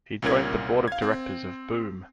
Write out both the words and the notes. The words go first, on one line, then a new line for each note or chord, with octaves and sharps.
He joined the board of directors of Boom!
C2 A#2 C#4 A#4 G#6
F5 G#6
C4